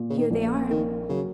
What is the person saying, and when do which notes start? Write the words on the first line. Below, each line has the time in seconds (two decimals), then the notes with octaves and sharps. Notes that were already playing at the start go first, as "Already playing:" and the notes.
"Here they are."
Already playing: A#2
0.10 C#3
0.18 D#3
0.31 A#1
0.70 D#3 A#3
1.09 C#3 F#3